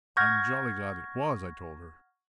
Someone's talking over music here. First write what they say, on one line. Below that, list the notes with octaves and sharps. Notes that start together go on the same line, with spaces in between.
"I'm jolly glad it was!" I told her.
F#5 C#6 F6 G6 G#6 A#6